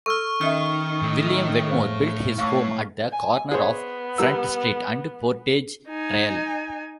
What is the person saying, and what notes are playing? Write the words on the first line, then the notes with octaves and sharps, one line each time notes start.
William Wetmore built his home at the corner of Front Street and Portage Trail.
A4 A#4 C#6 E6 F6
D#3 C#4 D#5 E5 F6
A2
G#4 C5 F5
A2 F5 C#6 D6
G#5
B3 G#4 C5 C#5
G3 A#4 E6
D#4 G#5